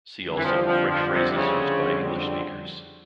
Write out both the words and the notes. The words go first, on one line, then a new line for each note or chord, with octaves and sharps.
See also French phrases used by English speakers.
F2 D3 G3 C4
E3
F3
F3
F3
C3
C3
C#3